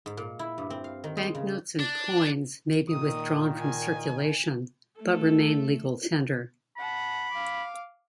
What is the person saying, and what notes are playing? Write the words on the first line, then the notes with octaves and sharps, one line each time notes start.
Banknotes and coins may be withdrawn from circulation, but remain legal tender.
G#2
A#2
E4
G2
C4
F5
D#3
G#3
C#3
D4
A#2 D#3 D#6
G#5
A3 A4
F#5 A5 B5
F5 D6